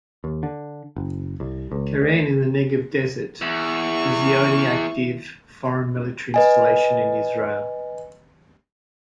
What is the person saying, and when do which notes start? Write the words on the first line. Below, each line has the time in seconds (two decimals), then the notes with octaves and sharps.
Keren in the Negev desert is the only active foreign military installation in Israel.
0.24 D#2
0.43 D3
0.96 F#1
1.40 C2
1.72 C#2
2.02 D2
3.42 E2 E4 C#6
6.34 B4 D#5 G#5